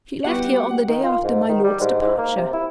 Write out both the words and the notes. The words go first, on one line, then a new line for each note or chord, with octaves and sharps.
"She left here on the day after my lord's departure."
G3 B3 E4 F#4 G4 B4 F#5
D#3
F4
G#2
D#3
G3
G#2
G#2
A#3
C3
E4